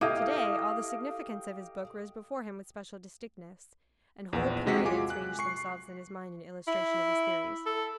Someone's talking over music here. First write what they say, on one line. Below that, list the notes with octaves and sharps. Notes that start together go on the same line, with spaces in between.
Today all the significance of his book rose before him with special distinctness, and whole periods ranged themselves in his mind in illustration of his theories.
E4 G4 A4 D#5 F5
A#1 E2
C3 G#3 F#4 B6
F4 G#5 D6
F#6
C#6 C7
E4
A4